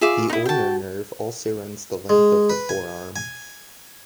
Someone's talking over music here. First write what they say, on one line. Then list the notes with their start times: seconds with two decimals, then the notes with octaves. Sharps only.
The ulnar nerve also runs the length of the forearm.
0.01 F4 G#4 E5 D6
0.29 D#4 E4 D#6
0.46 F#4 G5 A5
2.09 G#3
2.50 B4
2.69 G#5
3.16 G#5